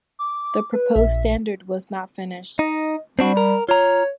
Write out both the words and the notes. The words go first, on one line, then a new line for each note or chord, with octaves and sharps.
The proposed standard was not finished.
D6
B4
A#1 E5
D#4 D#5
G3 C4 D4 F#4
A#4
F4 C#5 A#5